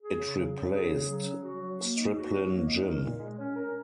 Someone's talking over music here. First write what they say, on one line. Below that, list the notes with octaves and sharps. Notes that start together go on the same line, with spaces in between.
It replaced Striplin Gym.
G#4
C#3
F#3
C#4
G#4
C#3
F#3
C#4
F#4
F#3
A#3
D#4
F#4
F#3
A#3
D#4
A#4
A#2
G#3
C#4
A#4